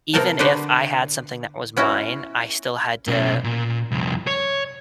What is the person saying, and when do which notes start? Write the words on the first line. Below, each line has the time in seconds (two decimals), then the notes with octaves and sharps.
even if I had something that was mine, I still had to
0.14 C3 B3 A4 A#4 G5 A5
0.39 D3 B3 F#4 G4 B4 C5
1.77 B3 C#4 E4 F#4
3.07 B2 C#4
3.44 A#2
3.92 C2 F2
4.27 C#5